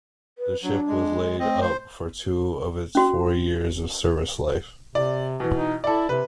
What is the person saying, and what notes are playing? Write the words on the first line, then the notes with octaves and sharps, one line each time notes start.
The ship was laid up for two of its four years of service life.
B4
F#3 D4
G#3
A3 C4 D#5
C5
C#4 F#4
C3 D5
B2 E3
D#4
E4 A4 D5
C3 B4